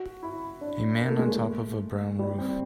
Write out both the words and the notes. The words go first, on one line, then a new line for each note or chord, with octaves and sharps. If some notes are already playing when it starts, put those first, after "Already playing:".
A man on top of a brown roof.
Already playing: F#4
E4
D4
A#3
A3
G#3
A3
G3
C4